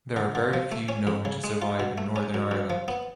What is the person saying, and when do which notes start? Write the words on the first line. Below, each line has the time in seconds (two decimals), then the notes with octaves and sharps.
There are very few known to survive in Northern Ireland.
0.16 D3
0.35 D3
0.53 F3
0.72 A3
0.89 C#4
1.07 F2
1.25 C#3
1.44 G#3
1.62 F4
1.80 B2
1.98 A3
2.16 C#4
2.34 F#2
2.51 F#2
2.70 F3
2.88 B3